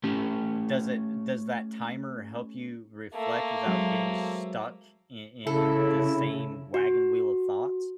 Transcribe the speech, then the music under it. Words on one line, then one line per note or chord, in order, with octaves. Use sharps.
does it does that timer help you reflect without getting stuck i i in the same wagon wheel of thoughts?
A3 C#4 G4
A3 A#3
F#3 G#3 C4
C#3 E4 A4
F#4